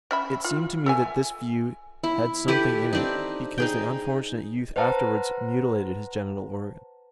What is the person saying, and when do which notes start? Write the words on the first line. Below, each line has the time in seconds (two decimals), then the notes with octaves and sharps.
It seemed to me that this view had something in it, because the unfortunate youth afterwards mutilated his genital organs.
0.11 C#4 E5 B5
0.44 F4
0.86 A4 E5 G#5
2.04 E4
2.48 E4 G4 A4 B4
2.93 C4 D4 D#4
3.58 D#4 G#4 G5
4.76 B4 C5 F#5 A5 A#5